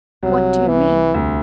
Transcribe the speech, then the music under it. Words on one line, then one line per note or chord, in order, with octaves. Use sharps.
"What do you mean?"
C2 F#3
C2 E3
D2